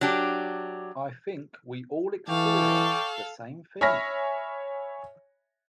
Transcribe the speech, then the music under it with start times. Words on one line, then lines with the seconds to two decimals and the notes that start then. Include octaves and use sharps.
I think we all experience the same thing.
0.01 F#3 D4 G4
2.29 E3 A4 D5 F5 G5 C#6
3.81 C#5 E5 G#5 B5 F6 A#6